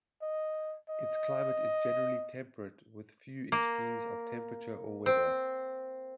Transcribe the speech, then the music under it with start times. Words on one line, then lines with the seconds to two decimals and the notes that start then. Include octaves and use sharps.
Its climate is generally temperate, with few extremes of temperature or weather.
0.22 D#5
0.90 D#5
3.52 A#3
5.06 C4